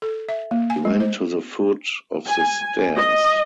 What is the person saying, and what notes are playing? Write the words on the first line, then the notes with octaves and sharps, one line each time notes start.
He went to the foot of the stairs.
A4
E5
A#3
G#5
G#3
C5
G#5
D#5